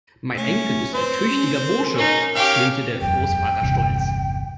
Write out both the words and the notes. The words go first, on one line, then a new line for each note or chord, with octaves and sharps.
"Mein Enkel ist ein tüchtiger Bursche", erzählte der Großvater stolz.
A3 C#4
C4 B4 C5
C#4
A#4
C#4 D#4
C#4 G4 F5 G5
E1 F#2 G5
G1 E2 C3